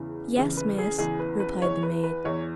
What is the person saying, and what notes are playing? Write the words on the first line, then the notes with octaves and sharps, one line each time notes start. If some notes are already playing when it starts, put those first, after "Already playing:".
"Yes, miss," replied the maid.
Already playing: E2 C#3 E3
E2 C#3 E3
B4
G#4
E2 C#3 E3 G#4
B4
B4
E2 E3 C#5
B4
B4
E2 E3 C#5